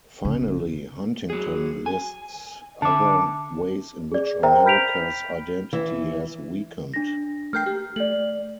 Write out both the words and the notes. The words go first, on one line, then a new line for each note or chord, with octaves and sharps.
Finally, Huntington lists other ways in which America's identity has weakened.
C#3
F#3 G#4
G#5
D3 E5 A5 D6
G#4 D5
A#4 C5 E5 G5 A#5
B5 F6 G6 B6 D7 F7
E3
D4 A#6
A3 A#4 G5 F6 G6 C7
G4 F6
A3 D5 F#7